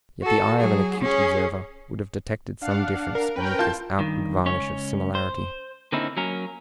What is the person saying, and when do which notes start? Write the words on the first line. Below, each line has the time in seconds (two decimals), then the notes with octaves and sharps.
Yet the eye of an acute observer would have detected some difference beneath this outward varnish of similarity.
0.22 F#4 A4
0.59 F#3 G#4
1.01 C#4 G#4
2.62 D4 F5 F#5
3.15 A#4
3.36 C#4 A#4 B4 G5
3.59 F4 A5 G6
3.99 G2 D#3
4.45 C#2 C#4 C#5
5.15 C5
5.92 D3 A#3 C4 C#4 D#4 E4
6.17 F#3 A#3 C#4 A#4